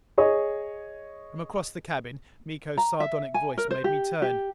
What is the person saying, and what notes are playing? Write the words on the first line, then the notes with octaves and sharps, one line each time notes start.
From across the cabin, Miko's sardonic voice made me turn.
G#4 C#5 D#5
A#5
E5
G#5
A#4
C5
G4
G4